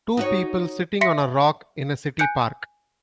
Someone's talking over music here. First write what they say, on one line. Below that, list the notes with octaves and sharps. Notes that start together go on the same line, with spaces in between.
Two people sitting on a rock in a city park.
D#4 F#4 C#5
E5 C6 A#6 B6 C#7
G#5 F#6 G6 C#7